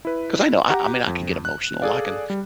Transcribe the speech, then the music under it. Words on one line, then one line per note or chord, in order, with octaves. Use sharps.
'cause I know, I I mean, I can get emotional, I can
E4 B4
G4 F#5 A#5
F2
F#6
G#4 A4 D5 F5
G3